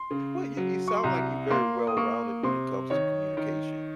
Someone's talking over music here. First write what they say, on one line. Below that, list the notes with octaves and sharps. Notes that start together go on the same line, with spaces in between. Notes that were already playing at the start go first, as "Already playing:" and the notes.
Well, you you sound like you very well-rounded when it comes to communication.
Already playing: C6
C#3
F#3
C#6
C6
C2 A#5
A#3 C6
D#6
A#3 C#6
C3 C6
D#3 C#5
D#3